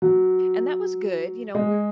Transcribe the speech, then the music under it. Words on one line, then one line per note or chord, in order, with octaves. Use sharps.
and that was good, you know, we
F#3
G#3